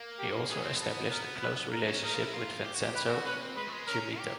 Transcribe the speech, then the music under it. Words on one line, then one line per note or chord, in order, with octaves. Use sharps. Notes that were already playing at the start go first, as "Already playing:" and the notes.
He also established a close relationship with Vincenzo Gemito.
Already playing: A#3
G4
B3 G#4
C4
B3
A4
B3 A#4
B4
A#4
C#4
D#4 A#4
F4
E4
F4
G4
F#4
G4
G4 B4
F#4
C#4 B4
C4
G#3 B4
A3
G#3
C#4 A#4
G4